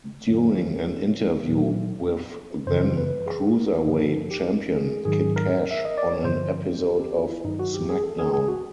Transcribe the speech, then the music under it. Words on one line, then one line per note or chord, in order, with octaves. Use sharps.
During an interview with then Cruiserweight Champion Kid Kash on an episode of SmackDown!
F#2 D#3 F#3 C#5
A#2 F#3
F#2 C#3 E3 C5
B4
G#4
A#4
G2 D3 F3 B4
A4
A4
G4
G#4
G#2 D#3 F#3 G#4
A#4
E5
D#5
D5
C#5
G2 D3 F3 C5
G4
G4
F4
E4
G2 D#3 F#3 D#4
F#4
G4
G#4
A4
G#4
G#4
F#4